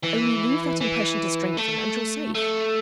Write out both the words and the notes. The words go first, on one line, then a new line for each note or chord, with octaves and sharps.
Only leave that impression to strengthen, and you're safe.
E3
E3
A3
A3